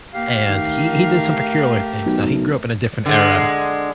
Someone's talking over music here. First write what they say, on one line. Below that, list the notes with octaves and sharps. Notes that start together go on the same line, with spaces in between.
and he he did some peculiar things. Now, he grew up in a different era,
A#3 G4 F5
D#3 A3 A#4
B1
D3 G#3